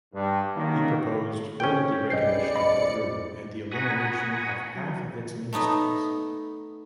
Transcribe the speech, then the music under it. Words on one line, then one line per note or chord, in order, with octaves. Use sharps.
He proposed further deregulation of Peru and the elimination of half of its ministries.
G2
D#3 F#3 A#3
D#3 C#4 C5 G5
B1 G#4 B4 D5 D#5 G6 C7 C#7
B1 E2 C5 D#5 B5
F#5 G#5 A#5 B5 C#6 D#6
F#3
A3 B3 D#4 E5